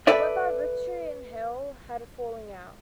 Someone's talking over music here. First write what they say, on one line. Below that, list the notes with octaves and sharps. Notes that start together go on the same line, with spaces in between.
However, Ritchey and Hale had a falling out.
A4 B4 D5 E5